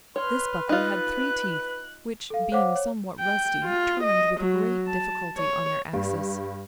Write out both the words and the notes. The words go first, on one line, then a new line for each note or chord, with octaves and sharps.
This buckle had three teeth, which, being somewhat rusty, turned with great difficulty on their axis.
B4 C#5 C6 F6
D#4 F4 F#6
A4 F5
C5 C#5 F5 F#5 D6
C#5
G5
F4
D#5
F#3
A5
C#5
G2